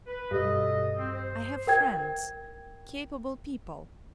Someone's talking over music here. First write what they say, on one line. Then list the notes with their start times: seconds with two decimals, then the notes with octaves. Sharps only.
I have friends... capable people....
0.07 B4
0.31 G2 B2 A4 D#5
0.97 C4
1.13 C5
1.67 A#4 G5 G#6